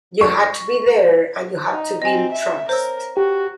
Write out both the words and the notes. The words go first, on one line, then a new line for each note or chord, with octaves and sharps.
You had to be there and you had to build trust.
C#6
D#4
C4 D#5 G#5
E5
A#4 C5 C#5 E6
F#4 G4